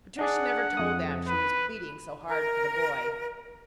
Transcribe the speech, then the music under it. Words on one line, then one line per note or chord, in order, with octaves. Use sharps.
Patricia never told them she was pleading so hard for the boy.
D4 G#4 D5 F#5
F2 D#6
B4
A#4